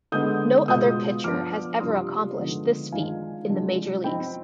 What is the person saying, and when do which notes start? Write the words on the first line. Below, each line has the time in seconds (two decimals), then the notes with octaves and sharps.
No other pitcher has ever accomplished this feat in the major leagues.
0.12 D3 G#3 B3 D#6 G6
0.68 B2 G#3 B3 F4 D#6 G6
1.24 F3 B3 D4 D6 F6
1.80 C3 G3 D4 F4 C6 D#6
2.36 D3 F3 G#3 B3 D#4
2.92 D#3 G#3 D4 F4 F5 G#5
3.48 C3 F3 G#3 D4 F4
4.04 F3 C4 D#4 G5 B5